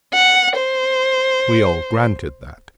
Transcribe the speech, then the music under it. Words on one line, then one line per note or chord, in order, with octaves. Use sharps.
We all granted that.
F#5
C5